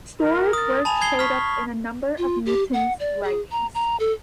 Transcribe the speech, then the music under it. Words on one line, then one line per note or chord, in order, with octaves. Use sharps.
Storer's work shows up in a number of Newton's writings.
A#4
D#6 A6
G#5 A5 B5 F7
G#6 C7 G7
C#6 F6 B6
F4
G4
F#5
D5
G#4
A#5
A#5
A4